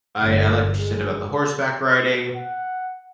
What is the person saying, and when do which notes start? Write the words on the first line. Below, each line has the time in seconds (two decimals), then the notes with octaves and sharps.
I I like what you said about the horseback riding.
0.21 G1
0.79 G#3
2.35 F#5